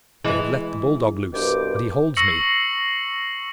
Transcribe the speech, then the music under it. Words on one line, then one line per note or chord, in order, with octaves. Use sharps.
"They have let the bull-dog loose, and he holds me!"
E3 G#3
C2 G2 B2 C5 G5 D6
C#6 E6 A#6 C7 C#7 F#7